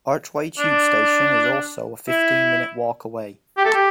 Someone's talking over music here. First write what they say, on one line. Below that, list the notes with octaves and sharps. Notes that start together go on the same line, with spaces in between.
Archway tube station is also a fifteen-minute walk away.
D4
E4
G4
A4
G4